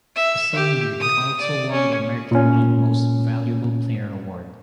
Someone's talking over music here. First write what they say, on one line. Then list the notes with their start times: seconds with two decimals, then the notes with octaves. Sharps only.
The same year he also won the American League Most Valuable Player award.
0.16 E5
0.55 G4
1.01 D#6
1.41 D5
1.71 C#4
2.31 A#2 C#4